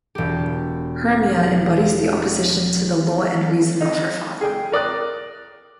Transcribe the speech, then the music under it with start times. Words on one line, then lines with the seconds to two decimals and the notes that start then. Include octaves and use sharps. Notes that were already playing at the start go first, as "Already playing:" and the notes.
Hermia embodies the opposition to the law and reason of her father.
0.15 E1 G4
3.81 D#4
4.41 G#4 G5
4.72 A#4 D5 D#6 F#6